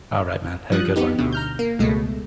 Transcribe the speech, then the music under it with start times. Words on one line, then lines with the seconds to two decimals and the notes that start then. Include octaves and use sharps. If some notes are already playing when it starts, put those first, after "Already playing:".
Alright, man, have a good one.
0.72 F3 G3 D#6 F#6
0.96 B3 D#4 G4
1.18 D2 B2 D3
1.33 A#5 F6 G6
1.59 A#3
1.79 C#2 B2 G#3 A3